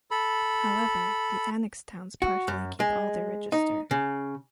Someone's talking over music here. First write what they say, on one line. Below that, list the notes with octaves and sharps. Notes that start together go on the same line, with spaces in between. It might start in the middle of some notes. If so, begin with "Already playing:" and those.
However, the annexed towns partially keep all their register.
A4 B5
F#4
F#2
G#3
D#4
C#3